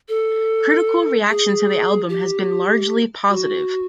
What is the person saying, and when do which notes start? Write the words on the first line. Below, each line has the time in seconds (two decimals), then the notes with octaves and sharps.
Critical reaction to the album has been largely positive.
0.09 A4
1.29 G#4
2.09 G4
3.29 F#4